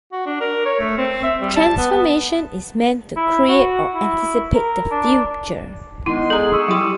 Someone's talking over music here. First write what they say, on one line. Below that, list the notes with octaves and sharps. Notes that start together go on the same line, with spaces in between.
Transformation is meant to create or anticipate the future.
F#4
D4
A#4
C#5
A3
C4
E5
G3
A5
B3
B3
E4
F#4
E4
A#4
D4
D#3 G#3 B3 E4 C6
G#4 A4 A#5
C#6 D#6 E6
F#3 G3 E4 C6